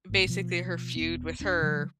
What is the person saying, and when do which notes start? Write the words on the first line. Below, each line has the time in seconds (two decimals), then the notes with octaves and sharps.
basically her feud with her
0.09 G#1 A2
0.27 B2 F3
0.96 E1 B3
1.40 D#1 C#4 D4
1.62 C#3 F3 G3